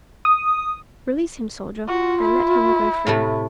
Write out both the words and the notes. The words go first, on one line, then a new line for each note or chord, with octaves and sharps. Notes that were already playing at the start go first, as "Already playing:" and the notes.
"Release him, Soldier, and let him go free."
D#6
F4 F#4
E4
A2 C3 A3